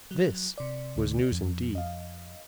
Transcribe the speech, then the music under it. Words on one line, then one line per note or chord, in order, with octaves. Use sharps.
This was news indeed.
F#3
C3 D5
D2
F2
D#5 F5